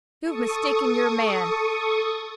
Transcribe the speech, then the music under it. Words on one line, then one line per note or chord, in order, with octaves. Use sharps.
You've mistaken your man.
A4 C#6 D#6